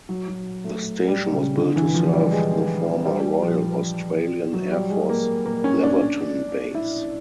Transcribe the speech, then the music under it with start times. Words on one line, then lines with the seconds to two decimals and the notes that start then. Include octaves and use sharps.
The station was built to serve the former Royal Australian Air Force Laverton base.
0.09 F#3
0.28 F#3
0.65 A3
1.08 G3
1.33 C#3
1.57 D3
1.76 E3
1.95 F3
2.12 G3
2.31 G#3
3.05 G3
3.42 F3
4.53 F#3
4.72 G3
4.90 G#3
5.09 A#3
5.46 A#3
5.64 C#4
5.82 D4
6.75 E4